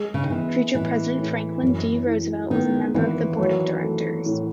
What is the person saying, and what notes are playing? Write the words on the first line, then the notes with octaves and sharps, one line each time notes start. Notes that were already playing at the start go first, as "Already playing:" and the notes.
Future President Franklin D. Roosevelt was a member of the board of directors.
Already playing: G#3
C#3
D#3
E3 B3
A2 E3
A2
F#2
E3
D#3 B3
G#1 E3
F#3
A3
A2